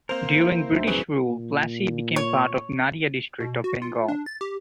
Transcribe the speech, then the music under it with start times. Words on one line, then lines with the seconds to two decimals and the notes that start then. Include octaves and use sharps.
During British rule Plassey became part of Nadia District of Bengal.
0.09 A#3 C4 A#4 C5
0.34 E4
0.71 D2 D#4 E5
0.87 E3 F#3 C4 G#4 B4
1.26 A#2
2.16 C#5
3.40 B2
3.64 F#4
3.82 F4
4.08 D4
4.26 A6
4.41 G4